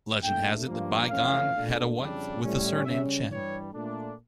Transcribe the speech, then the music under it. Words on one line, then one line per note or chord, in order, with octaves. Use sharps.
Legend has it that Bi Gan had a wife with the surname Chen.
A#2 A3 D4 G5
G2 F3 A#3
F2 E3 A3 C#4 F5
A#2 A3 D4
F2 C#3 G3 D4
A2 G3 C#4
C#3 G3 C#4 E5
G2 E3 G3 C#5
A#2 A3 D4